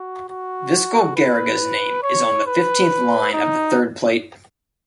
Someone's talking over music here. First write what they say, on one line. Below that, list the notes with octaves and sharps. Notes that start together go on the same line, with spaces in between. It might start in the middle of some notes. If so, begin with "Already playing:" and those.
Viscal Garriga's name is on the fifteenth line of the third plate.
Already playing: F#4
F#4
B4
C#5
B4
D#4